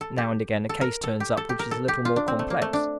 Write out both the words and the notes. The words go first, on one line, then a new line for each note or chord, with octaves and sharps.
Now and again a case turns up which is a little more complex.
A4
G4
A4
A#4
A4
G4
A4
G4
A#4
A4
G4
F4
D4
C4
A3
A#3
A3
D4